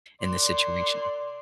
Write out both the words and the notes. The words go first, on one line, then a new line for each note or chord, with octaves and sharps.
in this situation."
D5 C6